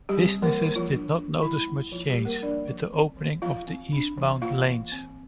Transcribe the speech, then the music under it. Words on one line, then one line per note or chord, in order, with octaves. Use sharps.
Businesses did not notice much change with the opening of the eastbound lanes.
G3 G4
C4
E3 A#3 A#4
G3
F3 F4
D4
D4
G3 E4
A#3
F3 F4
G3 G4
F3
A#3 A#4
F3 D4 D5
F3
C4
E3
F3 F4 F5
C4
D4
E3
A#3 F4 F5
E3
C4